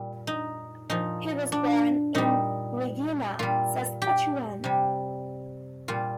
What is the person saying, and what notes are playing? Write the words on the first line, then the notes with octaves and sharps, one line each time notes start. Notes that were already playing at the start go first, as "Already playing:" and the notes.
He was born in Regina, Saskatchewan.
Already playing: A#2 G3
D#4
A#2 F3 D#4
D4
A#2 G3 D#4
A#2 G3 F4
G4
C3 G3
A#2 G3 F4